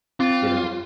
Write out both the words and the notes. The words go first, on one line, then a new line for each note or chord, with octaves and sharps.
You know,
C4 F4